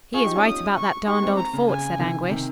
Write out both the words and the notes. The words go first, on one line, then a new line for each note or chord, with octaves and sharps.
"He is right about that darned old fort," said Anguish.
F4 G#4 C#6
D#4 G4
C#4 F4
D#6
C#6
D#4 G4 C#6
G#3 C4
A#5
C#3
C#3 G#5
C3 D#3
C3 D#3